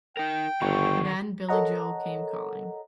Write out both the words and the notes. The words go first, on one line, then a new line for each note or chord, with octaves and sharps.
Then Billy Joel came calling.
D#4 A#4 G5
G1 D3 D#3 F#5 C#6
A4 A#4 C#5 D#5 F#5 A#5